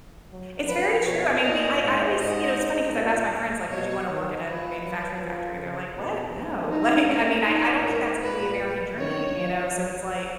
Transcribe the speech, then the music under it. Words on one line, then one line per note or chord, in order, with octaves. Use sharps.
It's very true. I mean, we I I always you know, it's funny 'cause I've asked my friends, like, "Would you want to work in a manufacturing factory?" They're like, "What, no," like, I mean, I I don't think that's the American dream, you know, so it's like
F#3
F3 B4
B2 C#5
A#2 D#5
G#2
G#2 D#5
A#2
B2 C#5
D#3
F3 B4
F#3
F3
C#3
B2
G#2
G#2 D#4
C#4
A#2 D#4
G#2 A#4
A#2 B4
D#3 C#5
F3
F#3